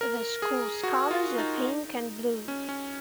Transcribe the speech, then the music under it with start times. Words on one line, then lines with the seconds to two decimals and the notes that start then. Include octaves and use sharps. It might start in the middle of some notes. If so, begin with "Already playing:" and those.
The schools colors are pink and blue.
0.01 A#4
0.42 G#4
0.83 F#4
1.11 F4
1.38 D#4
2.48 C#4
2.69 C#4